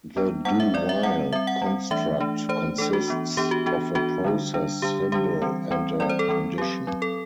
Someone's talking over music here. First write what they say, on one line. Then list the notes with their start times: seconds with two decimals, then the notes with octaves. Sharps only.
The "do while" construct consists of a process symbol and a condition.
0.16 G3 B3 D4
0.45 G3 B3 D4 F#5
0.60 E5
0.74 C4 D5
0.77 G3
0.89 E5
1.03 G3 C4 F#5
1.33 G3 C4 E5
1.47 F#5
1.62 G3 C4
1.91 E3 A3 D4 E5
2.20 E3 A3 D4
2.49 E3 A3 D4 C5
2.78 E3 A3 D4 A4
2.93 F#4
3.08 E3 B3 D4
3.37 E3 B3 D4 G4
3.51 F#4
3.66 E3 B3 D4 F#4
3.95 E3 B3 D4 F#4
4.24 D3 G3 D4
4.54 D3 G3 D4
4.82 D3 G3 D4 G4
5.12 D3 G3 D4 G4
5.42 E3 G3 C4
5.71 E3 G3 C4
6.00 E3 G3 C4 D5
6.09 C5
6.19 A4
6.29 E3 G3 C4
6.58 F#3 C4 G4
6.87 F#3 C4
7.02 A4